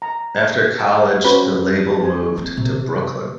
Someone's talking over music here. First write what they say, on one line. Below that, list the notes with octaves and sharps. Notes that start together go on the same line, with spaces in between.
After college the label moved to Brooklyn.
A#5
A5
C#4 F#4 B4 C5
C5 G#5
C4
C3